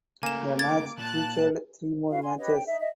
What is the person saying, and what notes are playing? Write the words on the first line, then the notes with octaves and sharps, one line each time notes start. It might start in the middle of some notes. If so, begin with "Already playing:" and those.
The match featured three more matches.
C#3 A3 A#3 G#5 E7
D6 G#6 A6
A#2 A5 F#6
E4 F#4 B4 F5
G#5 C6
G4 B4 C#5 D#5
G5
D#4 E5
D#5 E5